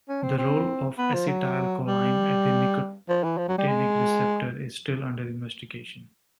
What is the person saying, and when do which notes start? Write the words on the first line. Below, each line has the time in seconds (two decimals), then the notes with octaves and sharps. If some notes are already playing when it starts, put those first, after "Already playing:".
The role of acetylcholine at the nicotinic receptor is still under investigation.
0.09 C#4
0.22 C4
0.38 C4
0.98 B3
1.14 F3
1.28 F#3
1.88 G3
3.09 F3
3.24 E3
3.37 F3
3.48 F#3
3.58 G3
3.68 G#3